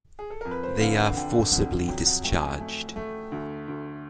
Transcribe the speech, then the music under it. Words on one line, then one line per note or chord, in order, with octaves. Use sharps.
They are forcibly discharged.
G#4
A4
F2 A#4
B4
C5
D3 F5
F#5
D3 G5
F2 F#5
F#3 G5
F#5
A3 G5
G#5
A3
A3
D2
D2